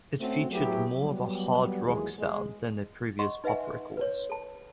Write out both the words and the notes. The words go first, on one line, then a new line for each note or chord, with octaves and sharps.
It featured more of a hard rock sound than their previous pop records.
A3 C4 C#4 F#4
F#3 A3 B3 E4 G4 G#4
F#3 G3 B3
D#2 E3 F#3 G#3
G#3
D#5 F#5 C6 C#6
D#4 B4 D#5 E5 F#5 G#5
B4 C#5
A4 A5